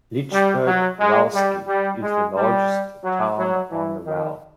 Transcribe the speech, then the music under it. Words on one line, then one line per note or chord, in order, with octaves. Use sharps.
Lidzbark Welski is the largest town on the Wel.
G3
F#3
G#3
G3
G3
G#3
G3
F#3
F#3
E3
D#3